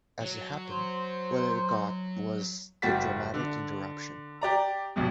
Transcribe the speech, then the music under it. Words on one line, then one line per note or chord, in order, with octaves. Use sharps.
As it happened, what it got was the dramatic interruption.
F#3
C5
F#1 G3 F#4 A6 B6
D3
G4 D5 A#5
B1 G2 B2